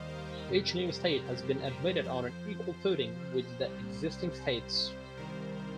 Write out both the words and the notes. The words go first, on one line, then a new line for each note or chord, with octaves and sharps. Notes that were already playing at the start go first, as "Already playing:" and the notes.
Each new state has been admitted on an equal footing with the existing states.
Already playing: D#2 D#3 G3 C5 D#5 F5
A#4
F2 C3 G3 G4
A#4
C5
A#4
G4
A#4
F2 F3 C5
C2 C3 G3
C2 C3 D#3 G3 A#4
A#4